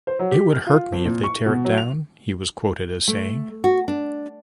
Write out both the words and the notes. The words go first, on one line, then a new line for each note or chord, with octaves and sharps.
"It would hurt me if they tear it down", he was quoted as saying.
C5
F#3
G4
F6
F4
F2
A#2
C#6
B2
F#3
F7
A3
F#4
D4